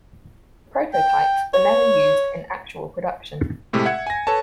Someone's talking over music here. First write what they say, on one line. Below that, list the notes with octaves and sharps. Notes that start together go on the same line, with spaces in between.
The prototypes were never used in actual production.
G5
C#5
A2 C3 G#3 A3
E5 F#5 G#6 C#7
G#5 A#6
A4 B4 C#5 A5